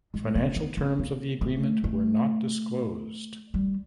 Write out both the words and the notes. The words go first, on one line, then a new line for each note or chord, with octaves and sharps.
Financial terms of the agreement were not disclosed.
G#3
B3
B3
C4
A#3
A3
A3
G3